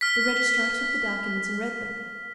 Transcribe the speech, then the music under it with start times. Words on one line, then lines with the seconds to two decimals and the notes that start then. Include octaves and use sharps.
The registrar took the documents and read them.
0.01 F6 B6